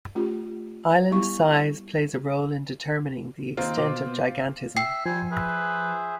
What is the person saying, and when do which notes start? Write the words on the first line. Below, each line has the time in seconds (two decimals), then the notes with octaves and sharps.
Island size plays a role in determining the extent of gigantism.
0.15 A3 C#4 F4 G4
1.11 G3 B3 E4 G4 F5 C#6
3.57 D#3 A#3 C4 F4
3.77 B2 C5 D6
4.77 E5 G5 C7
5.06 F3 G3 C5 G#5
5.31 G#4 B4 C5 E5